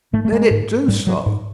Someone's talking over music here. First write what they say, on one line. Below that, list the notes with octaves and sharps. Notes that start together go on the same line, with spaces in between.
"Let it do so."
G#2 A3
A3
G#3
G#2
G#2 G3
F#3
G#2